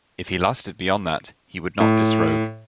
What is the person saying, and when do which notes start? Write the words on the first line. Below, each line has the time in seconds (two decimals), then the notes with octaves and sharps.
If he lasted beyond that, he would not disrobe.
1.80 A2